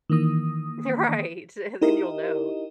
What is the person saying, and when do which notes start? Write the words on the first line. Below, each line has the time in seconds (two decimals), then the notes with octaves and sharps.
You're right, and then you'll know.
0.10 D#3 E3 A#3 D#6
1.81 D#4 E4 G4 A#4 D#5